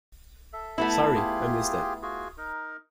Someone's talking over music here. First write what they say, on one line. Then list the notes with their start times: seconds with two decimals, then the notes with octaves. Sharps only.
Sorry, I missed that.
0.53 A4 E5
0.78 A3 B3 E4
1.15 F4 G4 G#4
2.02 F4 F#4 G#4
2.38 D#4 A#4